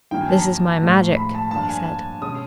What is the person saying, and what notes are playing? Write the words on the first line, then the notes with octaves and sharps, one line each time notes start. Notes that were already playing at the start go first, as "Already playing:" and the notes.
"This is my magic," he said.
G2 D#3 F#3 A#3 G5
G#5
A5
A#5
A2 F3 G#3
B5
A5
G2 D3 F3 A#3 D4 A5
G#5
B2 G#3 C#4 D#6